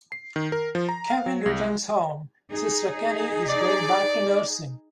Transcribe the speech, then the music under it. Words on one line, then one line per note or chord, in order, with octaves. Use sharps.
Kevin returns home, Sister Kenny is going back to nursing.
C7
D#3
A#4
F3
A#5
F5
F#3
C2
G#3
D#4 G#4
D5